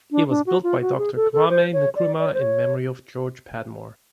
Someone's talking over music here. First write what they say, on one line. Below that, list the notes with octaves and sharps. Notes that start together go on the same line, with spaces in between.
It was built by Doctor Kwame Nkrumah in memory of George Padmore.
D4
D4
F#4
F4
F#4
G#4
A4
A4
C5
C#5
D5
D5
C#5
C5
C#5